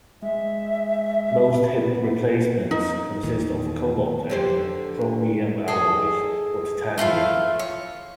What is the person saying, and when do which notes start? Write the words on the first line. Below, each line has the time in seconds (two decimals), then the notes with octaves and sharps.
Most hip replacements consist of cobalt and chromium alloys, or titanium.
0.22 G#3 E5
1.51 A#2 B3
2.71 D#4
3.23 E2 A#2 D#3
4.30 D3 G4 C5
5.68 G#4 A4 D#5
6.98 A3 E4 F4 F5
7.59 C#5